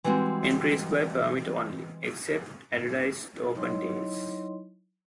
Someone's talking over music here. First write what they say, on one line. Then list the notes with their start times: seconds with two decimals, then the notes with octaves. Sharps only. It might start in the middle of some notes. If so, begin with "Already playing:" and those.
Entry is by permit only, except on advertised open days.
0.04 E3 G3 G#3 C4 F#4
3.55 F#3 D#4 E4 C#5 D#5 C6